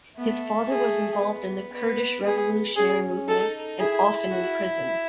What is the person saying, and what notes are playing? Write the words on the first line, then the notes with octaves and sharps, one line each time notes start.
His father was involved in the Kurdish revolutionary movement and often in prison.
A3 B3
G#4
B3
B3
B3 G#4
C#4 G#4
D#4 A4
E4 G#4
F#4